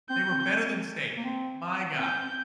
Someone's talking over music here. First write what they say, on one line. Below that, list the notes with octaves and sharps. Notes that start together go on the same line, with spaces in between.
they were better than steak, my god.
C4 G6
C4
A#3
C4
C4 G6
C4